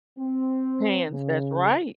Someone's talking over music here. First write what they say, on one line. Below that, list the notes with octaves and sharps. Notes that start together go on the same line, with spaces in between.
Hands, that's right.
C4
C#3